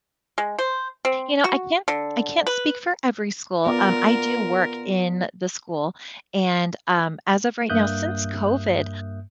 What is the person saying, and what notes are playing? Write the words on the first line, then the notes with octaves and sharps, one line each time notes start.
You know, I can't I can't speak for every school, um, I do work in the school, and, um, as of right now, since COVID,
G#3
C5
C4
F#4
D3
B4
B3 F4 A#4 D5
G2 A#3 E5 D#6 F#6 G6